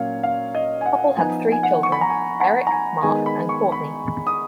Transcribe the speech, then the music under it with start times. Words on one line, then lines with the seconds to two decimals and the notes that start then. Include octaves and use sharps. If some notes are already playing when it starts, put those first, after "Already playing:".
The couple had three children, Eric, Mark and Courtney.
Already playing: A#2 F#3 A#3 C#4 C#5 F5
0.23 F5
0.55 D#5
0.81 G#5
0.86 F#5
1.17 F3 B3 D#4 G#5
1.52 G#5
1.63 F#5
1.83 C#6
1.92 B5
2.01 A#5
2.10 G#5
2.40 F#5
2.67 A#5
2.72 G#5
3.02 D#3 G#3 B3 D#4 G#5
3.26 B5
3.49 C#6
3.72 B5
4.27 D#6